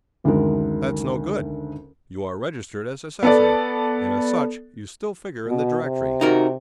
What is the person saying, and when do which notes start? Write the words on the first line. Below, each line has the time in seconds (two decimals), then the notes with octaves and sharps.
"That's no good; you are registered as assessor, and as such you still figure in the directory."
0.24 F#1 D2 D3 D#3 G#3 A#4
3.23 B3 A4 D5
5.47 B2
5.83 C3
6.21 D#4 F#4 A#4